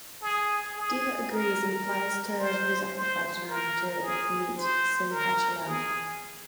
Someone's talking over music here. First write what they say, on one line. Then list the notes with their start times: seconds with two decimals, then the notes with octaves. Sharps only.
Deva agrees and flies to Visakhapatnam to meet Simhachalam.
0.21 G#4
0.77 G#4
1.30 A#4
1.85 A#4
2.39 C5
2.95 C5
3.48 A#4
4.02 G#4
4.57 C5
5.11 A#4
5.66 G#4